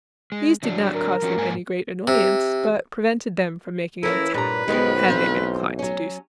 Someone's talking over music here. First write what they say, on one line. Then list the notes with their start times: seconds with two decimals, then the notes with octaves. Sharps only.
These did not cause them any great annoyance but prevented them from making an attack, had they been inclined to do so.
0.32 G#3
0.63 D3 F#3 D4
0.95 A#4
1.22 F3 C#4 F#4
1.36 G#2 A#3 G#5
2.07 C3
4.03 E3 A#3 C#4 E4 A4 A#4
4.34 G2 A#2 B4 A#5
4.68 B1 F#2 D#3 F3 G#3 B3
5.08 E3 A3 C4 C5 F5
5.79 F#3 C#4